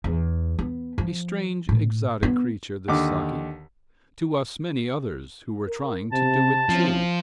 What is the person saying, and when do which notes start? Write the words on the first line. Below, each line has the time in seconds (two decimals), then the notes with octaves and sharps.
A strange exotic creature, this Saki, to us many others who were trying to do it too.
0.04 E2
0.59 B3
0.98 F3
1.69 A2
2.23 B3
2.88 D#2 D3 D6
5.66 A#4
6.12 C3 A5
6.69 F3 C4 C#4 E4